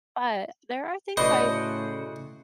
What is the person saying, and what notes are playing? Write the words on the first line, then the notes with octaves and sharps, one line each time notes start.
but there are things I
A2 C#3 F#4 B4 C5 D5 D#5